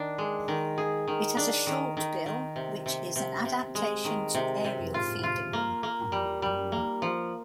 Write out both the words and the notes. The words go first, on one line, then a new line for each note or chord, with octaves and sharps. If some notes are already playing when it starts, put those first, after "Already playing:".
It has a short bill, which is an adaptation to aerial feeding.
Already playing: D#3 D4
G#3
D#3
G#4
D#3
D4
D#3
D#3
D#3
C3
C3
C3
C3
G#3
D#3
C3
C3
F4
F4
A#3
A#3
G3
G3
A#3
F3